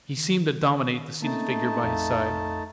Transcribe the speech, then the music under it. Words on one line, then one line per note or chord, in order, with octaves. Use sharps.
He seemed to dominate the seated figure by his side.
D#3
A3 A#3 C4 C#4 D#4 A5
A#1 F2 F5